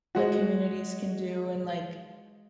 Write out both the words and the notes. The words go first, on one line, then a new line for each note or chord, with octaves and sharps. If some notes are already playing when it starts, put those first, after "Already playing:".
like, communities can do and, like,
G#3 F#4